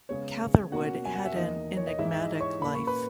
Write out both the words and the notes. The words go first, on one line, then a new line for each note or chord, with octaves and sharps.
Catherwood had an enigmatic life.
C#3 G#3 B3 C#5
B2 A#3 C#4 F#4 F#5
G#5
F#5
E5
E2 D#3 A#3 D#5
C#5
D#5
G#2 E3 G#3 E4 E5
E5
D#5
C#5 C#6
A#2 A#3 C#4 B5
C#6
B4 B5